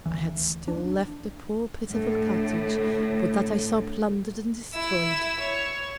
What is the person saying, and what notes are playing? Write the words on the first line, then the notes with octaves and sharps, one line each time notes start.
I had still left a poor, pitiful Cottage, but that I saw plunder'd and destroy'd.
D2 E3
D4
A2 D3
E4 E6
C#5